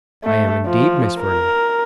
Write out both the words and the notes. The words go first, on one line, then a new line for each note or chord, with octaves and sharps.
"I am, indeed, Miss Vernon."
A3
F3
A#4